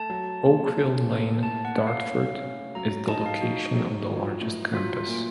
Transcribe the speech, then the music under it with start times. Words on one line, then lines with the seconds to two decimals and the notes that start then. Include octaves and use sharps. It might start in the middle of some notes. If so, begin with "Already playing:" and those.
Oakfield Lane, Dartford is the location of the largest campus.
Already playing: A3 A5
0.10 F#3
0.43 A#2
0.76 C#4
1.10 A#3
1.43 A2 A5
1.65 F#5
1.76 A2
1.87 F5
2.09 C#4
2.42 C#4
2.75 F#3 A#5
2.92 A#5
3.08 D#4 A5
3.26 F5
3.41 D#4 F#4
3.75 F#3
4.08 F3
4.41 A2
4.75 F#3 F4
4.96 F4
5.07 A#2